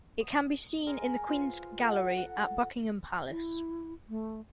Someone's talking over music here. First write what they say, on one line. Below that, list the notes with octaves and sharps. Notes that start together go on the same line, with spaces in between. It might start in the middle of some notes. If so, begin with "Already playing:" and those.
It can be seen in the Queen's Gallery at Buckingham Palace.
D#6
G#3 A#4 G#5
F4 B4 C5
A4 F#5 A#5
F#5
E4
A3